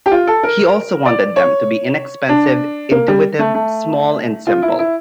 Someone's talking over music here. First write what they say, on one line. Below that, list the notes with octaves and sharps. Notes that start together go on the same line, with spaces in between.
He also wanted them to be inexpensive, intuitive, small, and simple.
G4
F4
A4
A#4
D5
C#5
D4
A#3
G3
A3
A3
F4
E4
E4